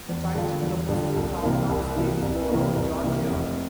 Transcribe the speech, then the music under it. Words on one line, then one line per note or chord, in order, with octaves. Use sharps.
The title refers to the town of Statesboro, Georgia.
E2
D3 G3 D4 F4
E2
D3 G3 D4 F4
C2
C3 E3 A#3
C2
C3 E3 A#3
C2
C3 E3 A#3
C2
C3 E3 A#3
F1